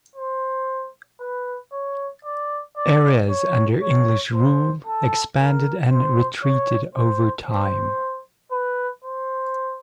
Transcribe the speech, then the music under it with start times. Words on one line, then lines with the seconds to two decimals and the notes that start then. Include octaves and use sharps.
Areas under English rule expanded and retreated over time.
0.16 C5
1.20 B4
1.73 C#5
2.25 D5
2.77 D5
3.29 C#5
3.82 C#5
4.34 C5
4.86 A4
5.39 A#4
5.91 C5
6.43 C#5
6.95 C5
7.47 C5
8.52 B4
9.04 C5